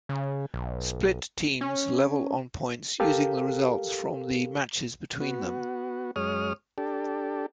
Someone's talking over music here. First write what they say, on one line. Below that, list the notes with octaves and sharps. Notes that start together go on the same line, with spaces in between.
Split teams level on points using the results from the matches between them.
C#3
B1
C#4
G4 A4 A#4 F5
B3 F#4
F#2 G#3 C#5 D#6 F6
D4 G4 A4